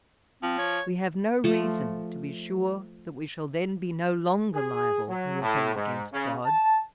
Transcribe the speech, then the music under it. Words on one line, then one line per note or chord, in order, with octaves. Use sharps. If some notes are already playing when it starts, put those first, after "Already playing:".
We have no reason to be sure that we shall then be no longer liable to offend against GOD.
F3 C4
C#5
F3 A3
G#4
F#3
A2
G#2
C#3
A5